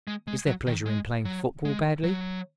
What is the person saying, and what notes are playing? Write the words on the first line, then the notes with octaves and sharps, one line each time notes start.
Is there pleasure in playing football badly?
G#3
G#3
F#3
D#3
G#3
F#3
G#3
F#3